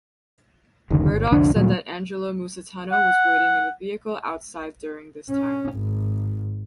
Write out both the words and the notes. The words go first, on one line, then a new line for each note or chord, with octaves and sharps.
Murdock said that Angelo Musitano was waiting in the vehicle outside during this time.
F1 C#2 D3 D#3
G1
C2 F2 D3 D4
D2 A#2 F#3 G3
F#5
C#4
G#1